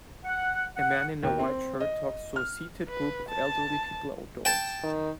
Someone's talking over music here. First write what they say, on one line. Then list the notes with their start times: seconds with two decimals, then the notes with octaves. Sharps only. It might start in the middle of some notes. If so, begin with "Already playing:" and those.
A man in a white shirt talks to a seated group of elderly people outdoors.
0.25 F#5
0.76 F#5
1.23 D#2
1.39 C4
1.80 D#5
2.36 F6
2.89 B4
3.29 A5
4.45 G5 A5
4.84 D#3